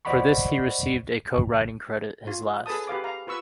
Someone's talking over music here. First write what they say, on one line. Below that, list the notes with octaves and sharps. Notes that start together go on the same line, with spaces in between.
For this he received a co-writing credit, his last.
C5 D5 D#5 F#5 B5 C#6
F4
G#4 A4 B4 A5 D#6
G4 B4 F5 D6
F5 A#5
F4 B4 C#6 E6